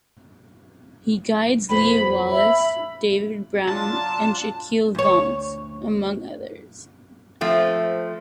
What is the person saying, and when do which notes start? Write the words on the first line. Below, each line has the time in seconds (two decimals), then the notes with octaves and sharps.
He guides Lea Wallace, David Brown and Shaquille Vance, among others.
1.69 F2 B3 C5 B5
2.31 E5 B5
3.69 F#3 D4 F4 A5
4.95 D2 C#5
7.41 F3 A3 C4